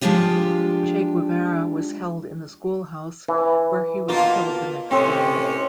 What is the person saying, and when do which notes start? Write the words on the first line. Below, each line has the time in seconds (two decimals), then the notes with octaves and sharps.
Che Guevara was held in the schoolhouse, where he was killed the next day.
0.01 F3 G#3 D4 F4 G4
3.28 E3
4.08 B2 A#3 F4
4.91 A2 C3 C4 C#4